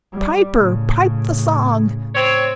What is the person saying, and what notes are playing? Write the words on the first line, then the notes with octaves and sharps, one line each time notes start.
Piper, pipe the song!
G3
A2 C#3
C4 C#5